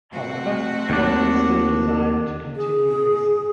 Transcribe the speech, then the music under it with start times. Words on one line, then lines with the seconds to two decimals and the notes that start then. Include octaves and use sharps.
However, Bonnett still desired to continue racing.
0.12 A3 C4 F#4
0.90 D#2 D4
2.56 G#4